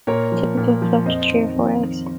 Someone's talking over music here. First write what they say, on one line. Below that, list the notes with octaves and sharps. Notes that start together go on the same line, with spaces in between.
The typical clutch is three or four eggs.
A#2 A#4 C#5
F3
A#2
F3
F2 C5 D#5
D#3
F2
D#3